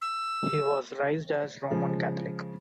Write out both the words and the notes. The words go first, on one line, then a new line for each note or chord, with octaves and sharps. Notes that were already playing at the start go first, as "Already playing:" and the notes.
He was raised as Roman Catholic.
E6
C#3 F3 G#3